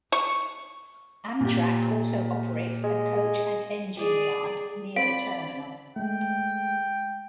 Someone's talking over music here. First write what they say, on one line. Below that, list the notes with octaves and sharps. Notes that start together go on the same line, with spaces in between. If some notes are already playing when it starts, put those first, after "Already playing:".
Amtrak also operates a coach and engine yard near the terminal.
C#6
A#2 G4
G#3
G#4 D5
C4 D5 F5 B5 D7
G#3 A3 G5